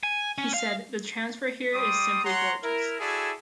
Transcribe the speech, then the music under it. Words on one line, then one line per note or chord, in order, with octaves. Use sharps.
He said, the transfer here is simply gorgeous.
G#5
C#4
F5
G3 C6 D6 D#6
C#5 F#5 A#5 C6
E4 A#4
E4 F#4 G#4 A4 D5